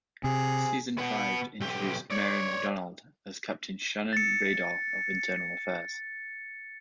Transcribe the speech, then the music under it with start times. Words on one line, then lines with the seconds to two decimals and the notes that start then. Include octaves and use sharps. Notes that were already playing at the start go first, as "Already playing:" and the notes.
Season five introduced Mary McDonnell as Captain Sharon Raydor of Internal Affairs.
0.24 C3 G#4
0.98 B2 B3
1.61 B1 G4
2.10 C#5 D5
4.13 A6 C#7